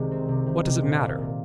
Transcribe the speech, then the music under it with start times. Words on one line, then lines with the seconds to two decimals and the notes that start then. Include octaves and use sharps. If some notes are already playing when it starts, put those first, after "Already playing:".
What does it matter?
Already playing: C2 C3 D#3 G#3 D#4
0.11 C4
0.28 C3
0.46 D#3
0.65 C3
0.83 A#2
1.01 C2
1.19 A#2